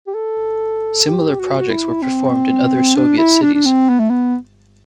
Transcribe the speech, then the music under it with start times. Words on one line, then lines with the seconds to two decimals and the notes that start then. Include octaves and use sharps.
Similar projects were performed in other Soviet cities.
0.07 G4
0.15 A4
1.08 G4
1.40 F#4
1.59 F#4
1.70 E4
2.02 C4
2.96 D4
3.18 E4
3.42 D4
3.54 D4
3.66 C4
3.89 B3
3.99 A3
4.10 B3